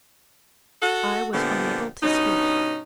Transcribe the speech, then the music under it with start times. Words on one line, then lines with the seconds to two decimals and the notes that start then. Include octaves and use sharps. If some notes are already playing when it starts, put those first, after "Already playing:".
I was unable to speak.
0.82 F#4 A4 F#5
1.34 A#2 D3 F3 A3 B3 G4
2.03 G2 B2 C#4 D#4